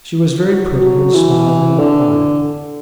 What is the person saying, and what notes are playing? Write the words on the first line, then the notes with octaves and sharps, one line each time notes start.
She was very pretty and smiling and quiet.
F#3
F#3
E3
D3